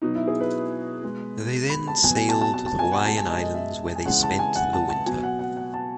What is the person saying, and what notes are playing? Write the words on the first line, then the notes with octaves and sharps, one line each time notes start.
They then sailed to the Hawaiian Islands where they spent the winter.
B2 F#3 D#4
E4
G#4
B4
B2 G#3
B5
A5
B2 F#3 G#5
G#5
A5
A5
A5
A5
G#5
F#5
B2 G#3 A5
G#5
D#5
D#5
E5
G#5
C#3 E3 G#3 F#5
A5
G#5
F#5
A5
A5
B2 F#3 G#5
F#5
F#5
F#5
A5